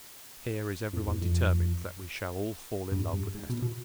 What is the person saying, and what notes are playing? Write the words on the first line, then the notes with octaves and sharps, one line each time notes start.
Here is everybody determined that we shall all fall in love with Hester.
F2
E2
F2
G2
G2
G#2
B2
B2